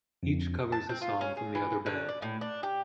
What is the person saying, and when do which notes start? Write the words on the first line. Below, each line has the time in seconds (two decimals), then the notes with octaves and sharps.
Each covers a song from the other band.
0.23 F2
0.72 A5
0.89 C4
1.02 F4
1.21 C#4
1.37 G#4
1.55 E3
1.86 D3
2.09 D5
2.22 A2
2.41 D4
2.63 G4